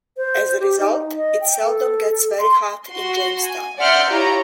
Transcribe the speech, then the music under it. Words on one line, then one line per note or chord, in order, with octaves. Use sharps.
As a result, it seldom gets very hot in Jamestown.
C5
G4
D#4
D#5
G5
A4
C6
F#4 C6
G#5
D5 E5 F#5 C6 F6 G6
E4 F4 G4 C#5 D5 A#5